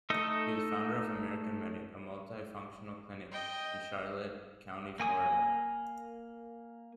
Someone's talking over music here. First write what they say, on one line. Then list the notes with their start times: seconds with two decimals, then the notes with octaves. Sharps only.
He is founder of American-Medic, a multi-functional clinic in Charlotte County, Florida.
0.10 A3 D#4 A4 D#5
3.32 D#5 G5
5.00 A#3 G#5 D#6